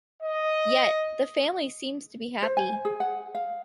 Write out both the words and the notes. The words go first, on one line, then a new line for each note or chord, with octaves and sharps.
Yet, the family seems to be happy.
D#5
C5
G#5
G#4
F#5
F5